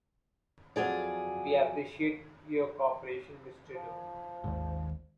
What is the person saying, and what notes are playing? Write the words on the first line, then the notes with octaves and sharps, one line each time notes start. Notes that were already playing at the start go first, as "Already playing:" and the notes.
We appreciate your cooperation Mr Doe.
F2 F#3 G#4 D5
F3
G#1 D#2 G#2